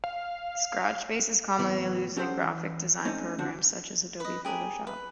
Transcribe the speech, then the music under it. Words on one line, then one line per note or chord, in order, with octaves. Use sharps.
Scratch space is commonly used in graphic design programs, such as Adobe Photoshop.
F5
A2 C3 E3 B3
C#4 G4 A4 C5 F#5
E3
A3 C4 C#4 D#4
D3 F3 C4 D4 F#4
B4 D#5
G4 G#4 A#4
B4